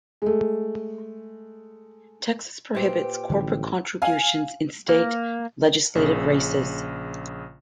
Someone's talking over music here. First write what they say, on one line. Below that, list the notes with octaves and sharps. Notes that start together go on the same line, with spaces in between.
Texas prohibits corporate contributions in state legislative races.
G#3 A3
A#2 G4 B4 C5 E5
A1 D3 F#3 G3
F5 G#5
A#3
A#1 C#3